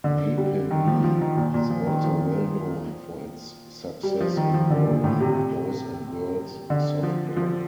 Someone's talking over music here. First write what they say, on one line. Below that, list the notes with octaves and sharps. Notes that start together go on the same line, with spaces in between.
Napanee is also well known for its success in both boys and girls softball.
D3
G3
D#3
F3
F3
D#3
A#2
A#2
F3
D#3
F3
G3
F3
D#3
F3
D3
A#2
A2
C3
D3
F3
F3